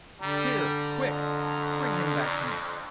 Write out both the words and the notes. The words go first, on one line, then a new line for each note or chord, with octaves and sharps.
'Here! quick! bring him back to me.'
D3 G3 A#5
F2